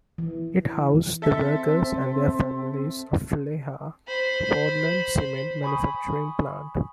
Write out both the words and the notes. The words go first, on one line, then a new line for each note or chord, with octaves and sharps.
It housed the workers and their families of Lehigh, a Portland cement manufacturing plant.
E3
C4 A4 E5
C5 B5
G#5 B5 C#6 D#6